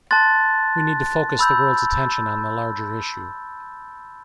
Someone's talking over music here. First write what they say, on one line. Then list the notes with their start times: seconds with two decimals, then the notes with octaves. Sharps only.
We need to focus the world's attention on the larger issue.
0.11 A5 C6 F#6 A6
1.39 B5 E6 G6